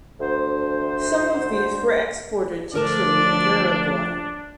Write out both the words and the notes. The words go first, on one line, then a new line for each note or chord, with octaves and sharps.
Some of these were exported to Chile and Uruguay.
D2 C5
D2 F3 D4 A#4 D5 A5